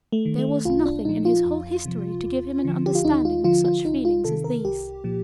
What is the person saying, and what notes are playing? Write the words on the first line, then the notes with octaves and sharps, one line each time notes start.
There was nothing in his whole history to give him an understanding of such feelings as these.
A3
D#3
A3
C2 F4
D4
A#2 F3 D#4
F4
F2
C3 F3
D#2
D3 F3
G4
F4
D#2 D#4
F4
D3 F3 F4
F4
C2 D#4
F4
C3 D#3 A4
A#4
C2 G4
A#2 F3